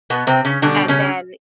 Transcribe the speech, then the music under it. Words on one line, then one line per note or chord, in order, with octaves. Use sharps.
And then
B2 B3
C3 C4
C#3 C#4
B2 D3 G3 D4
C#3 C#4